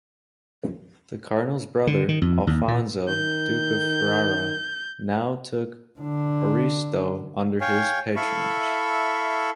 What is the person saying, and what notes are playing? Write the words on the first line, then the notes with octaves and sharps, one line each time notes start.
The cardinal's brother, Alfonso, duke of Ferrara, now took Ariosto under his patronage.
D3
D#3
F2
D#2
A#2
D#3 G6
D3 D4
C#5 F5 G5 G#5
E4 A4 E5 F5 B5 C#6